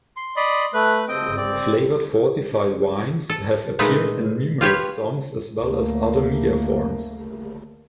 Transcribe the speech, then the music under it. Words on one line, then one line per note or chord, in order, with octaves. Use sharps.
Flavored fortified wines have appeared in numerous songs as well as other media forms.
C6
D5 D#5 B5 C6
A3 B4 F#6
C4 D#5 G5
C4 D5
A4
A#2 G#3 A3 D#4 B4
F4 G4 B4 C#5
D2 A3 A#3